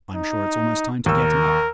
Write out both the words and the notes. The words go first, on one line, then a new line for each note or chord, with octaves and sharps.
I'm sure it's almost time to get up.
D#4
D#2 A#4 E6